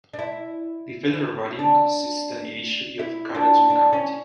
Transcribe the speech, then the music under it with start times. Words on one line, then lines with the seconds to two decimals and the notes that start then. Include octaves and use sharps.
The federal riding consisted initially of Carleton County.
0.13 D4
0.19 E4
1.59 D4
2.99 E4
3.35 D4
3.70 D4
3.93 C#4